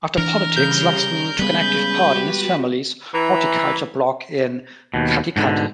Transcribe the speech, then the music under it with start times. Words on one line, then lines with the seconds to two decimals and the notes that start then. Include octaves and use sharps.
After politics, Luxton took an active part in his family's horticulture block in Katikati.
0.18 E3 D4 A#4
0.56 C#3 G3 G6
1.39 C#3 G3 G#3 B3 B4
2.05 F#4 G4
3.14 E3 A#5 B5
4.94 D#2 B2
5.36 G#2 B2 D3